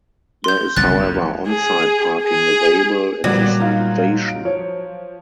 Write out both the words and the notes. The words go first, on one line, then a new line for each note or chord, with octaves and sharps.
There is however onsite parking available at the station.
C6 G6
F#1 C2 C#3 F#6 A6
F2
G#4
G#4
A#2 F#3 G3 B3 D5
D#4 F4
D7
F3 C#5